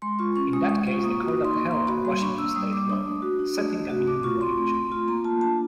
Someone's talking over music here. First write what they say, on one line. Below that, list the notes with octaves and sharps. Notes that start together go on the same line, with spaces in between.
In that case the court upheld a Washington state law setting a minimum wage.
G#3 C6
F4 C#6
C#4 C#6
G#3 D#6
G#3 C#6
F4 C#6
A#3 D#6
F#4
D#6
D#4
C6
A#3 C#6
A#3 C6
F#4 B5
G3 C6
D4 C#6
A#3 E6
G3 D#6
G3 D6
D4 D#6
A3
F#4
D4
A3
A3
F#4
A3 D6
F4 C#6
C4 C6
A3
A3
F4
A#3 A#5
F4 A5
D4 A5